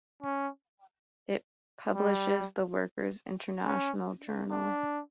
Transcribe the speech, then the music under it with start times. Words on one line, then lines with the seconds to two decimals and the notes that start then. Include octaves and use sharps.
It publishes the "Workers International Journal".
0.23 C#4
1.94 G3
3.66 C#4
4.50 D4